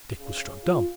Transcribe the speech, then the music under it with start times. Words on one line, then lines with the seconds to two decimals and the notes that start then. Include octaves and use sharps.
Dick was struck dumb.
0.18 C#3
0.63 F4